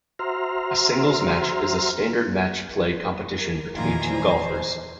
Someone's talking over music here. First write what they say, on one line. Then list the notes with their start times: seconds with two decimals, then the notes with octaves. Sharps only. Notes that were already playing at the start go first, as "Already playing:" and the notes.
A singles match is a standard match play competition between two golfers.
0.19 F#4 C5 E5 A#5 C6 F6
3.38 A#4
3.77 E2 A#2 D#3 F4 G#5 A#5
4.09 C5